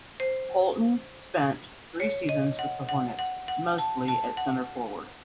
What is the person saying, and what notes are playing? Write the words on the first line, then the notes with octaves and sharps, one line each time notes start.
Holton spent three seasons with the Hornets, mostly at centre forward.
C5
C#5
D#5
F#5
F#5
F#5
F#5
A5
A5
F#5